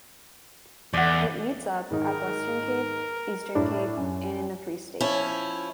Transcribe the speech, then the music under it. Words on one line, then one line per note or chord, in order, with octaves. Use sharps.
It meets up at Western Cape, Eastern Cape and in the Free State.
E2 D5 F#5
G#2 D#3 D#4 A#4
A2 D4
F#2
F3 C#4 E4